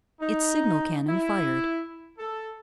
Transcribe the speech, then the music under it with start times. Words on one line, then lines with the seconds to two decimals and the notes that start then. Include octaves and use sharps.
Its signal cannon fired.
0.20 D#4
1.09 E4
2.18 A4